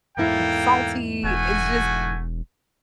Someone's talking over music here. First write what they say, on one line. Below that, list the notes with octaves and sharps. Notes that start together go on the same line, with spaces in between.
salty." It's just
E2 G#2 A#3 E4 A4 G5
E1 A3 F#4 G#5